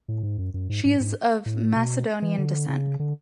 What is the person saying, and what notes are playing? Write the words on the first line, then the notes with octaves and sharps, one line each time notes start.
She is of Macedonian descent.
A2
G#2
F#2
F#2
G#2
G#2
G#2
A2
B2
E3
D3
C#3
D3